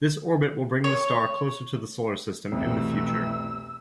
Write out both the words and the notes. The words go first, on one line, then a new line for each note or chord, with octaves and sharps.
This orbit will bring the star closer to the Solar System in the future.
C#5
C2 F2 B2 E3 A3 E6